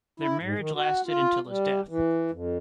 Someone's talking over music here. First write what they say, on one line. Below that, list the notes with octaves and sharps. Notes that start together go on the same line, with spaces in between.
Their marriage lasted until his death.
E4
G#2
D#3
F#4
F4
G3
E3
F2